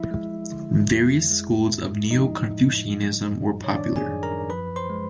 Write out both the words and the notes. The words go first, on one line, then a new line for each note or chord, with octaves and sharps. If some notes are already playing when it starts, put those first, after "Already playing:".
Various schools of neo-Confucianism were popular.
Already playing: F3 E4 E5
G#3
D3
F2
G#3
A2
F3 D#4 D#5
A2
G3
F#2
C#5
D#3 D4 D5
G#4 G#5
F#2
A#4 A#5
F3 B4 B5
C5 C6
G#3